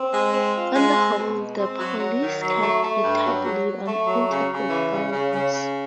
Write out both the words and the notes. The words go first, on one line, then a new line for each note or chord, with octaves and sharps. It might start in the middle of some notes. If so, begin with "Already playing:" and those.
On the whole, the police kept a tight lid on inter-group violence.
Already playing: C4
G#3
C4
F4
G#3
C4
B2
G#3
C4
F#3
F#3
D#3
F#3
A3
A3
G2
F#3
F#3
F#3
A3
F#3
C#3
C#3
E3
C#3
C#3
C#3
C#3